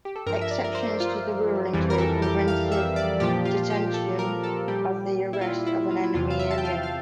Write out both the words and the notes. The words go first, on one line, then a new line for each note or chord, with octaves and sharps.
Exceptions to this rule include preventive detention and the arrest of an enemy alien.
G4
A4
G2 F3 A#4
E5
D5
A#4
C5
F4
F2 E3 G3
A#4
A4
G4
F5
E5
D5
A#2 F3 G4
F4
G4
A4
A#4
A4
A#2 G3 G4
E4
F4
E4
F4
E4
E2 C3 E3 F4
F5
E5
A5
G5
F5
F5